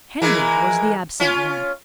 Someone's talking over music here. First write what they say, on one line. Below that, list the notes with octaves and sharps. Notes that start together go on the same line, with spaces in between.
Henry was the absent one.
E3 G#3 A#3
C#4 F4